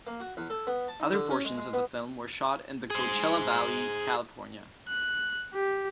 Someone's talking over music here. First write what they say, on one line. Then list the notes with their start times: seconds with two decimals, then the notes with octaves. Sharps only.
Other portions of the film were shot in the Coachella Valley, California.
0.07 A#3
0.20 F#4
0.37 E2
0.50 A4
0.67 B3
0.88 A5
1.00 D#4
1.13 D3
1.30 C#4
1.45 G#3
1.58 G#3
1.73 B3
2.90 G#4 C5
4.88 F#6
5.54 G4